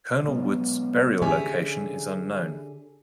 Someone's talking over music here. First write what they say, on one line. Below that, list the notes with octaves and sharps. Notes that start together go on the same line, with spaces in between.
Colonel Wood's burial location is unknown.
B2 F#3 G#3 B3
D3 C#4 G4 G#4 E5 G#5